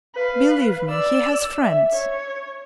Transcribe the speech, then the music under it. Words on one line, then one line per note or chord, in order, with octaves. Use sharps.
Believe me, he has friends.
B4 F5
D5 E6
E5
C#5